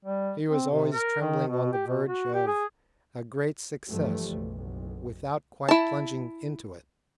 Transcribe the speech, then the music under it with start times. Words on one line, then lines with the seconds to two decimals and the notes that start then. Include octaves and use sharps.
He was always trembling on the verge of a great success without quite plunging into it.
0.05 G3
0.50 C4
0.70 C3
0.93 A#4
1.21 D#3
1.47 B2
1.73 G4
1.87 B2
2.07 F#4
2.34 G4
2.47 G#4
3.88 G2 D3 E3 F3 G3 A3
4.29 F#1 B1
5.69 E4 A5